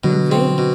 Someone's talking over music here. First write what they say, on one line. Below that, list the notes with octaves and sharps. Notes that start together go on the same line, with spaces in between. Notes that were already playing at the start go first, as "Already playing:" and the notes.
In vain!
B2 D3 F#3
C4
B2